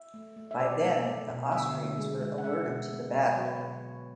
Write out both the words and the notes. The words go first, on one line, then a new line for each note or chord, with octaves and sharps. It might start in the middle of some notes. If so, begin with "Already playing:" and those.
By then the Austrians were alerted to the battle.
Already playing: E5
A3
A3
E5
B2 D5
A3
A3
B2
D3 E5
D3
G#3
G#3
F#5
G#3 E5
B2
G#3
B2
F#3 C#5
B4
B2 C#5
B2